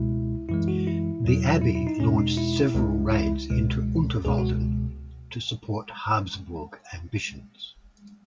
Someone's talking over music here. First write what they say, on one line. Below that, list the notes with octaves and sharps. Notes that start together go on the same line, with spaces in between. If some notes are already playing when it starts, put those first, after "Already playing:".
The Abbey launched several raids into Unterwalden to support Habsburg ambitions.
Already playing: C#2 B2 G#3 E4
F#2 E3 G#3 E4
F#4
E4
E2 B2 F#3
E4
E4
D#4
E2 B2 G#3 C#4
D#4
E4
C#2 C#3 G#3
E4
C#2 B2 G#3
C#2 B2 G#3 G#4
F#4